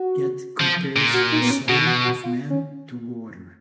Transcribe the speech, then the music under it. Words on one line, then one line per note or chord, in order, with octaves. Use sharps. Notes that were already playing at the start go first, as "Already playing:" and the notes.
Goethe compares the soul of man to water.
Already playing: F#4
F3
A#2
F#4
D#4
B3
C#4
B2 F#4
F#4
F#4
F4
C#4